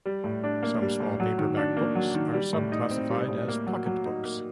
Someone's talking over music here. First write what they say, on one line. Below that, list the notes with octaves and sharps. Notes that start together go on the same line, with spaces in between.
Some small paperback books are sub-classified as pocketbooks.
G3
A2
D4
A#3
G3
A2
F#3
D#3
D4
A#3
F#3
D#3
G3
A2
D#4
C4
G3
A2
A#3
F#3
F#3
D#4
A#3